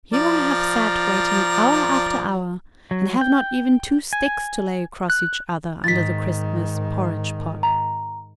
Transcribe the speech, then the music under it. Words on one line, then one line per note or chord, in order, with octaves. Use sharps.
"Here I have sat waiting hour after hour, and have not even two sticks to lay across each other under the Christmas porridge-pot."
F3 D5 A#5
F#3
G5
G#5
F#6
G#2 D#3 A6 B6
A#5